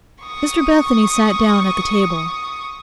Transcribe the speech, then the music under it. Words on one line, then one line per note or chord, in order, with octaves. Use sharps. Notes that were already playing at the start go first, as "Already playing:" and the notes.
Mr Bethany sat down at the table.
C#6 D#6